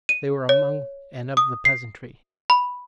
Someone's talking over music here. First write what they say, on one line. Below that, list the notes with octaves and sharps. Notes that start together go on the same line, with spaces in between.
They were among and of the peasantry.
D#7
C#5
D#6
C7
B5